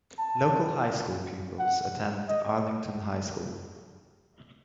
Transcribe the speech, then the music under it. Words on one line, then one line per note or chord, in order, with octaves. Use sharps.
Local high school pupils attend Arlington High School.
A5
F#5
D#5